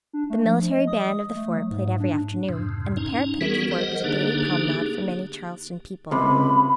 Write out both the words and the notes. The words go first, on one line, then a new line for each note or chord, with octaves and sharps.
The military band of the fort played every afternoon, and the parapet of the fort was a daily promenade for many Charleston people.
D4
A3
F3
D#5
D#6
A3
F#3
G#2
D4
F2 G#2 C3
C#4 D#4
E3 G3 B3 F#4 G#4 A#4
A#4 C5 D#5 F#5
D3 A#3 D4 D#4 G4 G#4
C#2 C3 B5